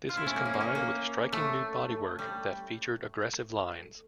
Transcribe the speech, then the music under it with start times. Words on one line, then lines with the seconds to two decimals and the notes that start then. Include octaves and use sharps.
This was combined with striking new bodywork that featured aggressive lines.
0.09 F4
0.17 E4
0.26 C#4
0.36 A#3
0.45 C#4
0.54 A#3
0.61 C#4
0.75 A#3
1.32 A3
2.19 G3